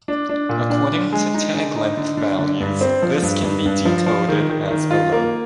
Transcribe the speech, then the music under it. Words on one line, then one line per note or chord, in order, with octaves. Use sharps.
According to tag length values, this can be decoded as below.
D4
D4
A#2
D4
D3
G#3
D#4
D3
D#4
D3
D3
D3
G2
C4
F3
G2
G2
G2
F3
F3
D#3
D#3
D#3
F4
A#3